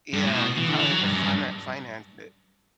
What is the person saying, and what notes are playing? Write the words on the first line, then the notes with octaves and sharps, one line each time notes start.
Yeah, you probably have to finan finance it.
G2
A2
B2
E3
D3
E3
F#3
G2
F#2
G2